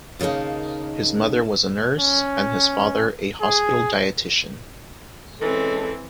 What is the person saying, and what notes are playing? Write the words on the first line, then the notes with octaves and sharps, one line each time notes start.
His mother was a nurse and his father a hospital dietitian.
D#2 C#3 A#3 D#4 A5
C#4
G#4
E3 G#3 C4 C#4 A4